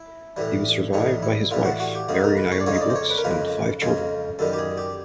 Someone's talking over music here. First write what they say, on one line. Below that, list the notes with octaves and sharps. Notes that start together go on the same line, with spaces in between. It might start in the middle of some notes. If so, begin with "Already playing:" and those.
He was survived by his wife, Mary Naomi Brooks, and five children.
Already playing: E4
A2 E3 G3
A2 E3 G3 D#4
E4
A2 E3 G3 F4
F#4
F#4
G4
F2 C#3 F3 G#3 G#4
A#4
B4
C#5
D5
F2 C#3 F3 G#3 C#5
D#5
D5
C5
C#5
B4
A#4
F2 C#3 F3 G#3 B4
F2 C#3 F3 G#3
F#2 D#3 G3 A4
G4
G#4
G4